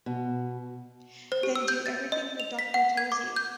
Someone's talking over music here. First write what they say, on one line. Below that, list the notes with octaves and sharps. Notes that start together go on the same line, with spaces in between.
Then do everything the Doctor tells you.
B2
C5
G4
E6
G6
A6
D#5
F7
B6
F#5
G#6
D6
G6